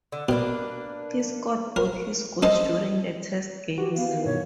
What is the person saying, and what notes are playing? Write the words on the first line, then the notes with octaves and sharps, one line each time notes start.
He scored both his goals during the test games.
D3
B2 A#3 D4 B4
A#4
C#4 D#4 A4 C5 D#5
E3 F#4 G4
B3 F5
D#3
G2 B2 C#5